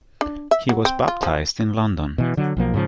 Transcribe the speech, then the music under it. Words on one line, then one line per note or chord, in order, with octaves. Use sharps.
He was baptised in London.
D4
E5
F#3
C4
F4
F3
B2 E3
D3 F#3
B1 F3 A#3
G#2 C#3 E3 F3